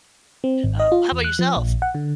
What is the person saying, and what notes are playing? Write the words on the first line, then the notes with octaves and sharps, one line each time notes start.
um, how about yourself?
C4
G#1
D#5
F4
E2
F#6
F3
A#1
F#5
D3